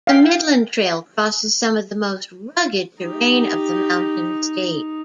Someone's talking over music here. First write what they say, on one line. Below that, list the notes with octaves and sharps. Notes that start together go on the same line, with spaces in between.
The Midland Trail crosses some of the most rugged terrain of the Mountain State.
F5 G5
D#4 G4